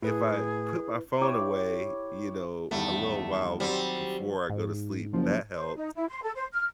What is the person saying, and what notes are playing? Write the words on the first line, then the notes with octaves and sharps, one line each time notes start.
if I put my phone away, you know, a little while before I go to sleep, that helps.
A2 E4 G#4 B4
E4 G4 C#5 D6
E2 G2 D#3 A3
F#3 G3 C4 C5
G#2
F#1 F3
C5
D#4
E4
C6
A4
C5
F6